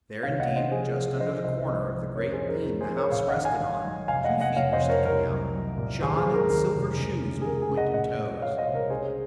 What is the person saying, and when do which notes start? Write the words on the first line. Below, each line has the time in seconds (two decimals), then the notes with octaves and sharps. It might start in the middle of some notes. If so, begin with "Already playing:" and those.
There, indeed, just under the corner of the great beam the house rested on, two feet were sticking out, shod in silver shoes with pointed toes.
0.23 C2 C#5 F5
0.39 D#5 F#5
0.48 C2
0.56 C5 D#5
0.72 F3 G#4 C5
0.96 F3
1.20 F3 C5 D#5
1.43 C2 C5 D#5
1.67 F3 C5 D#5
1.92 F3
2.16 F2 A#4 C#5
2.32 G#4 C5
2.41 F3
2.49 A#4
2.64 F2 A#4
2.81 G#4 C5
2.88 F2
2.96 A#4 C#5
3.12 A#1 C#5 F5
3.28 D#5 F#5
3.36 D#3
3.44 F5 G#5
3.60 D#3
3.85 F#3
4.08 F1 F5 G#5
4.24 D#5 F#5
4.33 F1
4.40 D#5 F#5
4.56 F1 C#5 F5
4.73 C5 D#5
4.81 F2
4.89 A#4 C#5
5.05 C2 A#4
5.30 F#3
5.53 F#3
5.78 A#2
6.02 D#2 G#4 C5
6.17 G#4
6.25 F#3
6.34 A#4
6.50 D#2 A#4
6.74 F1
6.98 C#2
7.22 C#3
7.41 G#4
7.45 C#2 A#4
7.62 G#4
7.70 C#3
7.77 D#5 F#5
7.94 A#2 D#5 F#5
8.18 A#2
8.37 D#5
8.42 A#2 C#5 F5
8.58 C5 D#5
8.67 C2
8.74 A#4 C#5
8.90 C#3 G#4 C5